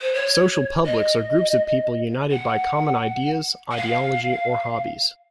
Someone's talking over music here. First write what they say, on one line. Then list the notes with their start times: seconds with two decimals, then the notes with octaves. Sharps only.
Social publics are groups of people united by common ideas, ideology, or hobbies.
0.02 C5
0.14 C#5
0.85 D#5
2.31 F#5
3.71 F#5
3.76 F5